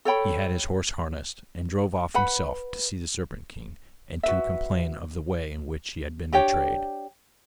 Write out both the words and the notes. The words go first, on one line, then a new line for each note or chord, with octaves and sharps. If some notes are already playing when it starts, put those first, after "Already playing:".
He had his horses harnessed and drove off himself to see the Serpent King and to complain of the way in which he had been betrayed.
A4 C#5 G5 B5
B4 F#5 B5
F#4 B4 E5
D4 G4 C#5 G5